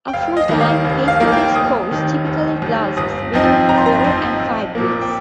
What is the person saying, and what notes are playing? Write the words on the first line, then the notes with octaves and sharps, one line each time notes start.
A full-time, face-to-face course typically lasts between four and five weeks.
G5
F1 F5
D#5
D#2 D#3 A#3
F5
F1
F5
D#2 D#3 A#3
G5
F1 D#6
D#2 D#3
F1
D#2 D#3
G1 D#6
F2 F3 C4 D#4
G1 A#5
C6
A#5
F2 F3 C4 D#4
A#1
A#2 F3 A#3
G5